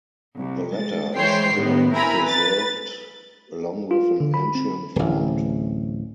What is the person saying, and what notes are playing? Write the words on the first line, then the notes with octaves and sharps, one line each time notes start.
The latter is still preserved along with an ancient font.
C2
G#3 A6
E3 G#3 C5 C#5 G5 C7
A2 D#3 B3
C4 E4 A#4 G#5 A#5 B5
B4 A6
F4
D3
B5
C4
D1 A1